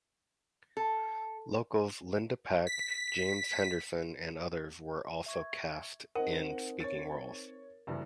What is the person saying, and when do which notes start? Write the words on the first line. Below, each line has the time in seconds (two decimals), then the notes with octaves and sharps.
Locals Linda Pack, James Henderson and others were also cast in speaking roles.
0.77 A4
2.67 B6
5.26 E5 C#6 G#6
6.15 C4 D#4 A#4 C5 D#5 F#5
6.80 C#5 A6
7.87 F#1 G2 E3